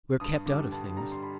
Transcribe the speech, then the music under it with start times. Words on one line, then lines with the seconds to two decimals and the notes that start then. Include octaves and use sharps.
We're kept out of things.
0.20 G2 D#6
0.46 D3 G3 D6
0.72 G2 A5
0.97 D3 G3 A#5
1.12 C6
1.23 B5